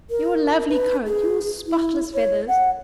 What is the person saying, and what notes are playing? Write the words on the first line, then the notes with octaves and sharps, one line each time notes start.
Your lovely coat, your spotless feathers!
A#4
B4
G#4
E4
C#5
F#5